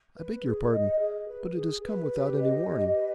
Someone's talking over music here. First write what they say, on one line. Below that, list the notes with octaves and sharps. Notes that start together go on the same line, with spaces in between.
'I beg your pardon, but it has come without any warning.
B4
G#4
D#5
G#4
B4
G#4
B4
G4
D#5
G4
B4